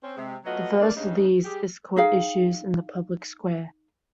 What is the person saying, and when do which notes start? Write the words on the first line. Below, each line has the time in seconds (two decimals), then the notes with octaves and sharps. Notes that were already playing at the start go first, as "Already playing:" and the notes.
The first of these is called Issues in the Public Square.
0.03 C4 C#4 C5
0.17 C3 G#3
0.45 F#3 A3 B3 F4 F#4 D#5
0.80 G2 A#3 D5
0.96 G2 C#3 D#4
1.44 G3 G4 G#4
1.96 D#4 G#4 F5 G5